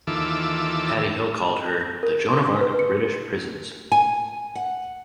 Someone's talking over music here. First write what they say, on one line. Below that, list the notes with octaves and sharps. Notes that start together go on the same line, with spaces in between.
Paddy Hill called her "the Joan of Arc of British prisons".
D#2 E3 F4 A4 D6 E6
A#4
C6
C6
B4
C#7
G#5
F#5